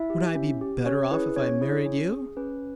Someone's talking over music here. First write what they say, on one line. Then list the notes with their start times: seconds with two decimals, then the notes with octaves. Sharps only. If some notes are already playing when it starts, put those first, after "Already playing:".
"Would I be better off if I married you?"
Already playing: E4 E5
0.10 G4
0.35 C#4
0.61 G4
0.86 C#4 C#5
1.11 E4 G#4 B4
1.36 C#4 C#5
1.61 E4 G#4
1.86 C#4
2.12 G#4
2.37 C#4 B4